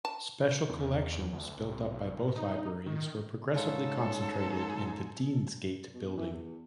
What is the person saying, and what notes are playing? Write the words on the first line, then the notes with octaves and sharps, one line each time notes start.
Special collections built up by both libraries were progressively concentrated in the Deansgate building.
A5
E2
D2
C2
B1
A2
D#4
D#3
G#2 C#3 G3 A4 C#5
B2
E3
E2